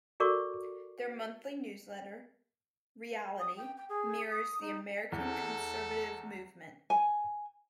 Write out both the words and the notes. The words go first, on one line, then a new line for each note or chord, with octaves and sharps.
Their monthly newsletter, "Real"ity, mirrors the American conservative movement.
F#4 A4 A#4 D5 C#6 D6
D#6
G5
G5
G#4
D#6
D#4
E2 A4
G#5